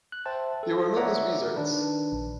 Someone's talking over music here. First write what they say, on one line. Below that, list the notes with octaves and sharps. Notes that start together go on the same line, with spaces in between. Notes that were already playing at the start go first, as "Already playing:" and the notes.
They were known as "wizards".
F#6
C5 E5 G5 A5
A4
C#5 D5 E5 F#5 A#5 D6
D#3 D4 B4
A#1